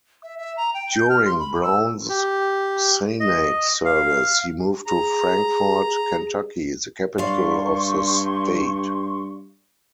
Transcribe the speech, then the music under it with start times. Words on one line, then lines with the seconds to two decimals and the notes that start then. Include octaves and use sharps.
During Brown's Senate service, he moved to Frankfort, Kentucky, the capital of the state.
0.23 E5
0.38 E5
0.57 A#5
0.74 G5
0.95 G6
1.09 F6
1.25 C6
1.39 B5
1.63 E6
2.09 G4
3.20 D#5
3.85 F5
4.86 G#4 A#5
7.18 G2 D5 F5 C6 C#6